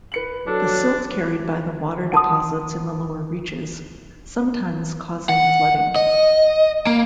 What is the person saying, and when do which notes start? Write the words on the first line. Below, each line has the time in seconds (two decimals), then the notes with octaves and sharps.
The silt carried by the water deposits in the lower reaches, sometimes causing flooding.
0.12 B4 C#7 F#7
0.47 F#3 D4 A4
2.12 F#5 A5 C6 D#6
5.29 F#5
5.96 D#5
6.87 A#3